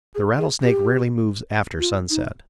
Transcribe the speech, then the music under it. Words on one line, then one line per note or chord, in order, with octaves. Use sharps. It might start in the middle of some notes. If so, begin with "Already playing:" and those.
The rattlesnake rarely moves after sunset.
G#4
G#4
G4
F4
D#4